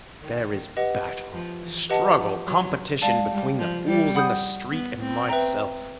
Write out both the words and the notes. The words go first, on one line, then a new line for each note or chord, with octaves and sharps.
There is battle, struggle, competition between the fools in the street and myself.
D#3
G4 B4 D#5 F#5
F3
E3
G4 B4 D#5 F#5 A5
F3
F#3
G#3 D5 F5 A5
G3
F3
G3
F#5 B5 D#6 G6
B3
C4
B4 E5 G5 A#5